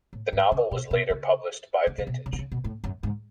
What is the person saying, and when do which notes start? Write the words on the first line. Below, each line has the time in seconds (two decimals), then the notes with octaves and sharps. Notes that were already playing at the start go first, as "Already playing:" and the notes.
The novel was later published by Vintage.
0.13 A2
0.33 G#2
0.52 C#3
0.71 B2
0.91 B2
1.10 C#3
1.87 D3
1.98 C#3
2.07 B2
2.26 C#3
2.33 D3
2.39 C#3
2.52 B2
2.64 A2
2.84 F#2
3.03 G#2